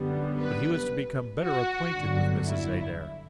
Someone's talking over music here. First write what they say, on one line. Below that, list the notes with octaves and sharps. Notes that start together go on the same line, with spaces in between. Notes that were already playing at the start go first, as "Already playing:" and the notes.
But he was to become better acquainted with Mrs. Adair.
Already playing: F#2 D3 G3 B3
B4
F#4
G1 G2 D3 F#3
E4